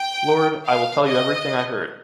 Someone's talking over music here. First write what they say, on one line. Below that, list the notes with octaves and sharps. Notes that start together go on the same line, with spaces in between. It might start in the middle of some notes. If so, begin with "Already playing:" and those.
Lord, I will tell you everything I heard.
Already playing: G5
F5
D#5